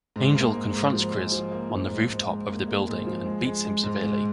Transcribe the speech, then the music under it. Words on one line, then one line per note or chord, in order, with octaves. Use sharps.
Angel confronts Gris on the rooftop of the building and beats him severely.
G#2
A#3
G#2
G#2
F3
G#2
F3
A#3
F3
G#2
G#2
G#2
A#3
A#3
G#2
F3
G#3
G#3
G#3
G#2
G#2